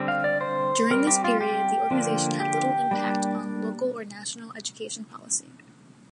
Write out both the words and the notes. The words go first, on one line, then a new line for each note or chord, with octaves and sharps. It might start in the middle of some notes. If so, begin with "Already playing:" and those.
During this period, the organization had little impact on local or national education policy.
Already playing: D3 G3 C4
F5
D5
C5
G3 C4 A#4
G4
F4
G4
D3 F3 A#3 D4
G4
G3 A#3 D4